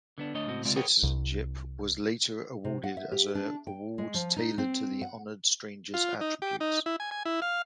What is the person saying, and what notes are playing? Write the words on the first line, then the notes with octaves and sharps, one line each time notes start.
Citizenship was later awarded as a reward tailored to the honored strangers' attributes.
D3 B3 D4
D2 A3 D4 C#5 D#5
C#2 A2 C4 F#4 D#5
C#2 C3 G#3 C4 F4 D5
G#4 A#4 B4 C#5 F#5 G5
C2
C3
F#5
E5
G4
D4
G5
G#3
F3
D#4
C4
F#5
F4
D#4
G4
D#4
E4
G#5
G#5
E4
F5